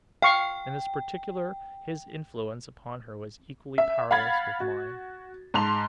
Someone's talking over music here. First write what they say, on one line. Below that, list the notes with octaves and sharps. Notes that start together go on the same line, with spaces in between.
In this particular, his influence upon her was equally powerless with mine.
F5 G5 C#6
E5
F5 F#5 B5 G#6 A6
F#4
G#2 A5 C6 F7